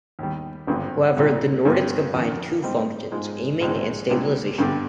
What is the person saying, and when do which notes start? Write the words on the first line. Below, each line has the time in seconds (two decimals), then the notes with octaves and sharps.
However, the Norden combined two functions, aiming and stabilization.
0.19 D#2 D#3 G3
0.67 G#1 G2 D3 F3 C4
1.17 C2 A#2 F3
1.65 G2 D3 G3 C4
2.14 F2 D#3 A#3 D4
2.63 G#2 G3 C4 D#4
3.12 G#2 F3 G#3 D#4
3.61 A#1 G#2 D#3 G#3 C4
4.09 C2 A#2 G#3 D4
4.58 G2 D3 G3 D4